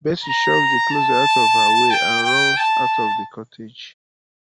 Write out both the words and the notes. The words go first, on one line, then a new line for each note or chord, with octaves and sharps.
Bessy shoves the closest out of her way and runs out of the cottage.
A#5
A5
G5
G5
A5